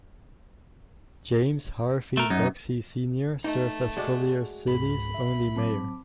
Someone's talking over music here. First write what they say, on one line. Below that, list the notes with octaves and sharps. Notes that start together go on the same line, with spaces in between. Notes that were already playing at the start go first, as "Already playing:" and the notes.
James Harvey Doxsee Senior served as Collier City's only mayor.
A3 A#4
F#2 D#4
A3 D#4
G#3 F#4 D5
C#2 G#2 B5
C2 E5
A2 F#3 C4 A5 D6